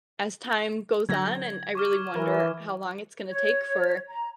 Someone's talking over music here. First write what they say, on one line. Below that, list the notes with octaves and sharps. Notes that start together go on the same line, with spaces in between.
as time goes on, and I really wonder how long it's gonna take for
D3 F#3 G#6 A#6
C#6 D6 F6
E3 A#4
C#5
A#5